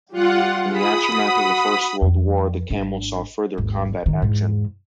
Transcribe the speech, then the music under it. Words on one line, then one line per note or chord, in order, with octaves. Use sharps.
In the aftermath of the First World War, the Camel saw further combat action.
G3 F4 G4 F#5
F4 G#4 B5 D#6
F#4 F#5
F2
G#1 D4
G#1 D#2
G#2 D#3
E2 G#2